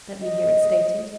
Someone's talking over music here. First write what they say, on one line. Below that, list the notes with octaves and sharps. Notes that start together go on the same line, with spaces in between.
Let me hear it stated.
D#5